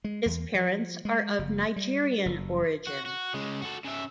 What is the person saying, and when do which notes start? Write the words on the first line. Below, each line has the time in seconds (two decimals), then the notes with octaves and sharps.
His parents are of Nigerian origin.
0.04 G#3
0.26 E2
0.55 F3
1.05 G#3
1.39 F#1
1.76 G3
2.26 F#1
2.87 F#4
3.06 F#4
3.34 C#3 G#3
3.62 F#4 A4
3.85 C#3 E5